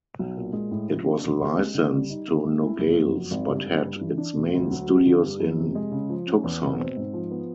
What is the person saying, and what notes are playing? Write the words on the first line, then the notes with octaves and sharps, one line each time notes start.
It was licensed to Nogales, but had its main studios in Tucson.
B1
A#2
G#3
A2
F3
D4
E1
D#2
G#3
D3
G3
D#4
D#3
G#3
E4
F#1
F2
F#3
G#1
G2
G3
G2
E3
D4
E1
D2
F#3
G2
D3
G2
F2
C3
G#3
C#3
F3
C#4
E2
B2
C4
G#2
F3
B3